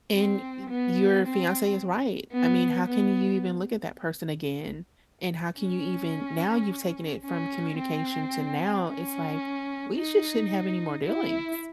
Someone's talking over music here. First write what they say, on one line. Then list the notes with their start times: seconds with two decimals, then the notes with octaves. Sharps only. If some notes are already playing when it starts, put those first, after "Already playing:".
and y your fiance is right, I mean, how can you even look at that person again? And how can you even now you've taken it from communication to now, it's like, we sho shouldn't have any more dealings.
0.15 C4
0.69 B3
1.24 C4
2.33 B3
2.88 B3
5.61 C#4
7.24 C#4
7.79 C4
8.88 C#4
9.97 D#4
11.06 E4